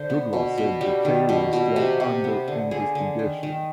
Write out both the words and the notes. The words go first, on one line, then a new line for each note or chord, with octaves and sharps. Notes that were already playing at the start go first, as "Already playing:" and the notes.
Douglas said the case was still under investigation.
Already playing: D3 C5
B3
B2
B2
G3
D#3
B2
B2
C3
C3
B3
D3
D3 G#4
D3
D#3
D#3